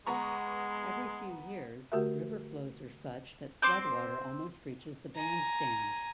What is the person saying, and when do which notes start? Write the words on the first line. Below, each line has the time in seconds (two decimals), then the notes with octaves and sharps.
Every few years, river flows are such that flood water almost reaches the Bandstand.
0.07 G#3 B3 A#5 C#6
1.92 D3 A3 F#4 G4 A#4 E5
3.62 C4 C5 D6 G6
5.15 G#5 A#5